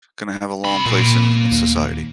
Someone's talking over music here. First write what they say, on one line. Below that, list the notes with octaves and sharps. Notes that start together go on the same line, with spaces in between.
gonna have a long place in in society.
C3 B5
A#2 A#3 C6
D#2